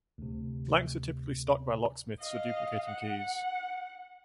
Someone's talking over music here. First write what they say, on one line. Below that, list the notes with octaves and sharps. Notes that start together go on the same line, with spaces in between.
Blanks are typically stocked by locksmiths for duplicating keys.
D2 C3
D#5 F5
F#5